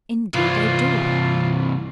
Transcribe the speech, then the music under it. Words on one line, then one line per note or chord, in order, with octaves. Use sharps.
Indeed I do.
C2 E3 F4